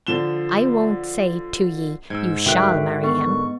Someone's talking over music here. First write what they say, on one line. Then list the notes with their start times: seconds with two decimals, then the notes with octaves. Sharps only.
I won't say to ye, you SHALL marry him.
0.07 D3 F3 E7 G7
2.10 G#2 E6 G#6
2.46 D3 F#4 A#4 E5 G5 F#6
3.04 B3 C#6